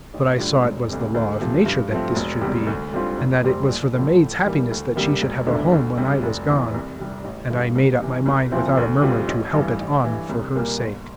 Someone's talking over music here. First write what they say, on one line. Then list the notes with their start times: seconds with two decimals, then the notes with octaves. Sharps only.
But I saw it was the law of nature that this should be, and that it was for the maid's happiness that she should have a home when I was gone; and I made up my mind without a murmur to help it on for her sake.
0.14 A1
0.38 A2 G3 D4 F4
0.64 E1
0.89 D2 C3
1.14 D2
1.40 C3 F3
1.66 G2
1.92 F3 A3 C4
2.16 E1
2.41 E2 C3 G3
2.67 D2
2.93 D3 G3 C4 F4
3.18 F1
3.43 F2 C3 G3 C4
3.68 A#1
3.94 A2 F3
4.20 A2
4.45 E3 G3 A#3
4.71 D2
4.96 C3 G3 A#3
5.22 E1
5.47 E2 D3 A3 D4
5.72 D2
5.98 C3 G3
6.23 F1
6.49 E2 E3
6.74 C2
6.99 C3 G3
7.24 A1
7.50 G2 D3
7.75 C2
8.01 C3 E3
8.26 C2
8.52 A#2 F3 C4 E4
8.77 D2
9.02 C3 G3 C4 F4
9.28 A1
9.53 G2 E3
9.79 A1
10.04 G2 E3
10.29 C2
10.55 A#2 G3 A#3
10.81 G1